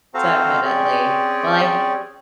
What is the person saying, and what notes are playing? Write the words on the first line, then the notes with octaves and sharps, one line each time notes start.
definitely. Well, I
C4 F#4 A4 C5 F5 A#5
C4 C#4 G4 G#4 C#5 D5